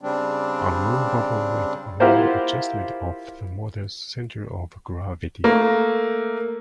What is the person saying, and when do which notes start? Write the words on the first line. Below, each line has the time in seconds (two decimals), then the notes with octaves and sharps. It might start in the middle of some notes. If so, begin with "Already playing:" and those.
A movable weight allowed adjustment of the model's centre of gravity.
0.01 C#3 G3 C4 D4
2.00 E4 F4 G4 A#4 C5 F#5
5.44 A3 A#3